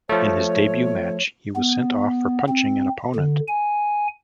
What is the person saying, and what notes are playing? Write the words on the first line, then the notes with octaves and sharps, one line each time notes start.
In his debut match he was sent off for punching an opponent.
F3 A3 C#5
B3
C4
D3
G#5